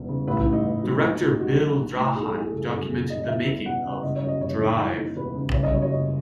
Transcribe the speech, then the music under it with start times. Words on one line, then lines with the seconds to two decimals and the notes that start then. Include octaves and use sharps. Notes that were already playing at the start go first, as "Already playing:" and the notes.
Director Bill Draheim documented the making of "Drive".
Already playing: E1 E2
0.09 C#3
0.28 A1 B4
0.40 E4
0.46 A2
0.53 D#4
0.65 A1
0.84 F#3
1.03 D#2
1.21 D#3
1.40 D#2 F#4
1.59 F#3
1.77 B1
1.96 A2
2.15 B1 G#4
2.23 A4
2.30 G#4
2.34 E3 A4
2.44 G#4
2.52 F#1 A4
2.59 G#4
2.66 A4
2.72 F#2 G#4
2.91 F#1 G#4
3.09 C#3 D#5
3.20 D#5
3.28 E3 E5
3.47 E2
3.66 E1 F#5
3.85 C#3
4.03 F#1 D#5
4.16 C#5
4.22 F#2
4.28 D#5
4.41 F#1 C#5
4.60 D#3
4.78 E3
4.97 D#2
5.16 E1 B4
5.35 C#3
5.54 F#1 C#5
5.63 D#5
5.72 F#2 C#5
5.82 C#5
5.91 F#1 D#5